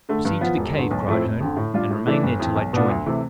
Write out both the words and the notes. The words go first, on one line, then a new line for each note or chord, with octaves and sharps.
"Proceed to the cave," cried Herne, "and remain there till I join you."
D3 A3
G2
F3 B3 F4
E1
E2 D3
B1
A2 F3 A3 C4
F1
F2 D3
A2
G3 D4 F4
A2
E3 A3 D4
G1
F2 E3
B1
B2 B3 D4 F4
D2
C3 E3 A3